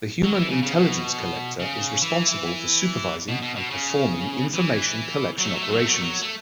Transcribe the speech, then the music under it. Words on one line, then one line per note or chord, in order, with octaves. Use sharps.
The Human Intelligence Collector is responsible for supervising and performing information collection operations.
F#3
E3
C#3
C#3
B2
C#3
E3
B2
B2
B2
C#3
E3
F#3
A3
F#3
A3
F#3
A3
F#3
A3
F#3
A3